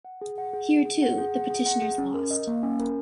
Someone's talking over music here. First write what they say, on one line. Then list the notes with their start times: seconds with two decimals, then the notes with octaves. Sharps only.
Here too, the petitioners lost.
0.05 F#5
0.21 G#4
0.38 F#5
0.54 G#4
0.70 F#5
0.85 G#4
1.02 F#5
1.18 G#4
1.35 F#5
1.50 G#4
1.66 F#5
1.82 G#4
1.98 C#4
2.14 A#4
2.31 D#5
2.47 A#3
2.63 C#4
2.79 A#4